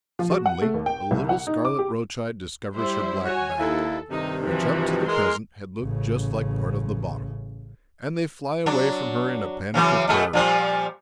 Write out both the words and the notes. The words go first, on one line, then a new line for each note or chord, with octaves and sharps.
Suddenly a little scarlet roach-eye discovers her black back, which up to the present had looked just like part of the bottom, and they fly away from her in a panic of terror.
F3
F#4
F#5
A3
D#2
G5
C2
F#5
D#4
D6
G4
G3 E4 C5
F#4 C#5 G#5
D#2 E4 A4
G2 C3 D#3 D#4
E3 F3 F#4
G#3 A#4 C6
A1 C#3
F#3 D4
C#3 E3 F#3
B2 A3 G#4
A#2 F3 G3